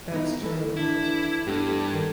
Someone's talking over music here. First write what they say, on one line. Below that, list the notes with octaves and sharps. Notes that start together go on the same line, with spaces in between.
That's true.
E3 B3 D#4
E3 A3
D4 E4
G2 A3 B3 D4 G4
D#3